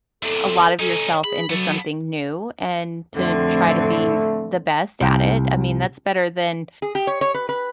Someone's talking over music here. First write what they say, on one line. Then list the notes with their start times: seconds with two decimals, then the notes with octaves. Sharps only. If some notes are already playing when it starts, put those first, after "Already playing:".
a lot of yourself into something new and to try to be the best at it. I mean, that's better than
0.23 E2 C3 A4
0.79 C#4 D#4 A4
1.24 G#4 B5
1.50 F#3 B3 A4
3.15 F2 A2 D3 A3 C4
5.01 C2 G5
6.82 G#4
6.95 G4
7.07 C#5
7.21 C#5
7.34 B4
7.49 B4